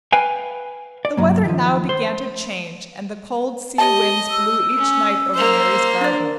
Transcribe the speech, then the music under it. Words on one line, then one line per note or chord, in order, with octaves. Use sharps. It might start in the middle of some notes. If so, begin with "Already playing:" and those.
The weather now began to change, and the cold sea winds blew each night over Mary's garden.
B4 F5 G5 G#5
D5
C2 G2 F#3 A#3
D#3 F3
C5
G4 C#5 D#5 A5
E6
C#4
A#3 C5
D4 D5